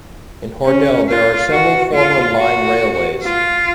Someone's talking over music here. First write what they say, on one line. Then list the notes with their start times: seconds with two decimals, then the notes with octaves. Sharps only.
In Hordel there are several former mine railways.
0.66 C#4
1.09 F4
1.52 F#4
1.94 F4
2.39 F#4
3.24 F4